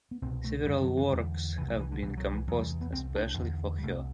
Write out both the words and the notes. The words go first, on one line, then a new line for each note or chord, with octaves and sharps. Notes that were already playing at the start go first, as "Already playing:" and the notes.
Several works have been composed especially for her.
B3
C2 B2 C4
A3
F#2 D3 G3
F#3
E3
E2 D3 G3
C2 C3 E3
F#3
E3
D3
C2 B2 E3
F#3
E3
E2 C3 F#3
G3
B3
C2 C3 C4
D4
E2 D3
G3
C2 C3 A3